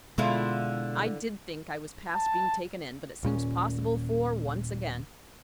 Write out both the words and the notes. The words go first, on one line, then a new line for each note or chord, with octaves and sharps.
I did think I was past being taken in, but it seems possible for once again.
B2 D3 G#3 E4 F4
A5
D#1 A#2 C4 C#4